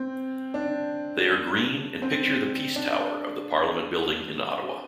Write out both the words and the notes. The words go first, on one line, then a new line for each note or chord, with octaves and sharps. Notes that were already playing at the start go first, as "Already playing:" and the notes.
They are green, and picture the Peace Tower of the Parliament building in Ottawa.
Already playing: C4
D4
C4
D4